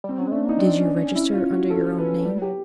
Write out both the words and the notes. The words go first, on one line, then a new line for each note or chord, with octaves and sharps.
"Did you register under your own name?"
G3 C4
F#3 C#4
G#3
A3 D4
A#3 D#4
C4 D4
C#4
C#4
E4
F4
F#4
A4
B4
G3
F#3 G4